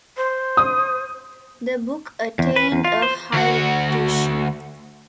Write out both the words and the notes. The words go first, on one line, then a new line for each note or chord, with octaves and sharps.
The book attained a high reputation.
C5
D#6
E2
B4
E2
F4
C5
D2 F#4